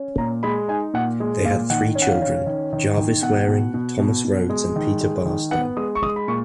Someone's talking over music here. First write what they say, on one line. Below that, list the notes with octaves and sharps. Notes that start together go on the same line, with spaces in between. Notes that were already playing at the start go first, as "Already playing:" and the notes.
They had three children: Jarvis Waring, Thomas Rhodes, and Peter Barstow.
Already playing: C#4
A#2 A#5
G#3 B5
D#4 G#5
A#2 F#5
G#3
A#2 F5
D#3 F#5
C#4
F#5
F5
C#4
D#3
D#3
D#3
B2 F#5
B2
B2
B2
B2
G#3
D#3
G#3
D#3
B3 F#5
G#3 D#6
C#6
G#3 D#6
B5
A#2 C#6